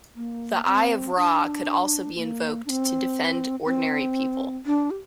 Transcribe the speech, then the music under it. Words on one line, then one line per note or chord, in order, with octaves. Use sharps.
The Eye of Ra could also be invoked to defend ordinary people.
A#3
C4
D4
A#3
D4
C4
C4
D4
G4